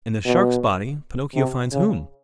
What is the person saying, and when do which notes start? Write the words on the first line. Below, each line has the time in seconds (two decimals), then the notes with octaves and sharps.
In the Shark's body Pinocchio finds whom?
0.26 B2
1.35 C3
1.72 C#3